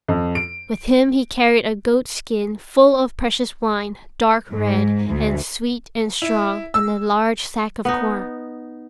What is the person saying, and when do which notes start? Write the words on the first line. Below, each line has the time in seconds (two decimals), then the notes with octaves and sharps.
With him he carried a goat-skin full of precious wine, dark red, and sweet and strong, and a large sack of corn.
0.08 F2
0.35 D7
4.50 G#2
5.09 D2
6.22 E4
6.74 E6
7.85 B3 D#4